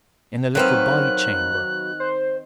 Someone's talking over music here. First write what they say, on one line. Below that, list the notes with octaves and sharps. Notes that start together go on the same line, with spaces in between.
In a little by-chamber....
D#3 F#3 C4 B4 F5 F#6
C5